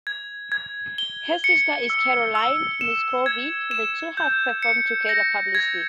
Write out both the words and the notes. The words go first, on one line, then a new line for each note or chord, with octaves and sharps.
Her sister is Carolina Miskovsky; the two have performed together publicly.
G#6
G#6
G7
C#7
E6
E6
E7
G#6
E7
G6
C#7
A#6
G#6